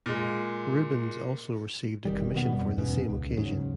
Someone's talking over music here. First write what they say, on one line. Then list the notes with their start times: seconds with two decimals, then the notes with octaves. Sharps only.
Rubens also received a commission for the same occasion.
0.06 A#2 G#3
2.05 F1 D#3 G3
2.34 B2 D#3 B3
2.52 F2 G3
2.78 E2 G#2 B2 C#4
3.10 C#2
3.37 D#2 G#2 C#3 F#3